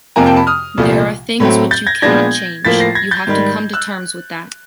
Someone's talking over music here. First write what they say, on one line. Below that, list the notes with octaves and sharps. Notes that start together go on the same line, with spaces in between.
There are things which you cannot change, you have to come to terms with that.
F2 C3 F3 A#3 G#5 A#5
G5 A5
A5 B5
D#6 F6
C2 A#2 F3 A3
A2 F#3 A3 C4
G6 A6
G#6 A#6
A#2 F3 G#3 B3 D4 G#6 A#6
A2 F3 A#3 A6 B6
A#6 C7
G#6 A#6
G6 A6
G#2 D#3 G3
E6 F#6